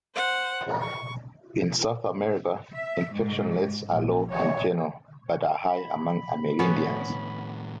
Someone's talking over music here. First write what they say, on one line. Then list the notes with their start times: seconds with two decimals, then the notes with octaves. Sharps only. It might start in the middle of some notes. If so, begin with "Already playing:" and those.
In South America, infection rates are low in general but are high among Amerindians.
0.15 C5 F#5
0.81 C#6
2.75 E5
3.12 G#2
3.87 A#1
4.31 C#5
5.69 B5
6.59 A2 D#3 B3 C#4 F#4